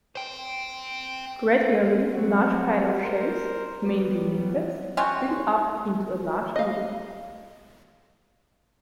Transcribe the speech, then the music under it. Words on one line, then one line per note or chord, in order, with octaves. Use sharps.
Gradually a large pile of shells, mainly limpets, built up into a large midden.
C5 G5
F#3 G3 C4 F#4
A#4 C5
F#3 G3 B3
G3 C#4 F4 F#4
D#5 F5